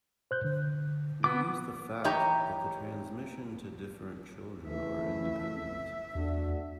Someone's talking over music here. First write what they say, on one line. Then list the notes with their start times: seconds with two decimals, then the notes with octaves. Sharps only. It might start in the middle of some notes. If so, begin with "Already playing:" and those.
We use the fact that the transmission to different children are independent.
0.31 C5 F#6 G6
0.45 D3
1.24 B3 D6
2.04 E3 D#4 G4 C#5 A#5
4.68 C#3 E3 A3 E5
6.15 E2 A3 D4 F#4